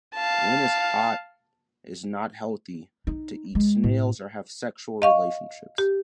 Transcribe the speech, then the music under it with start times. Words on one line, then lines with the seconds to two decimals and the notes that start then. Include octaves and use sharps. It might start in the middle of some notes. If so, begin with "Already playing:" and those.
When is hot is not healthy to eat snails or have sexual relationships.
0.15 F5 A5
3.07 D#4
3.55 G#3
3.84 A2
5.02 D#5 F5 C#6
5.78 G4